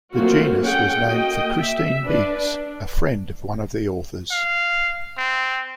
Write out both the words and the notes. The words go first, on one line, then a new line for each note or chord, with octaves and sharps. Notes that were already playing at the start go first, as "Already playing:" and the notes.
The genus was named for Christine Biggs, a friend of one of the authors.
F#3 A3 A#3 C4 F4 F#4
A3 C#4 G#4 F#5 G5
A#3 F#4 D#5 G5
E5
D4 B4 D5
D4
F5
C4